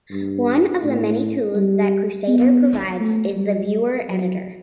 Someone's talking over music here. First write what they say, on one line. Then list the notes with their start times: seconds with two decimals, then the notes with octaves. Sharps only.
One of the many tools that Krusader provides is the viewer-editor.
0.11 G2
0.84 A2
1.56 G3
2.28 B3
3.00 A3
3.36 G3
4.09 F#3